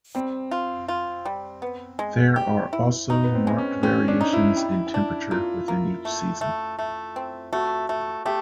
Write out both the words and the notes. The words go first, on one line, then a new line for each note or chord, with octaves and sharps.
There are also marked variations in temperature within each season.
G3 C4
F4
F4
G3
B3
G#3
G4
E4
D#4
B3
C4
G#3
C#4
C4 C#4
D4
D#4
E4
G3
D4
A#3 F4
A#3
A3
A3
A3
C4
A3 F#4
A3
A3 G4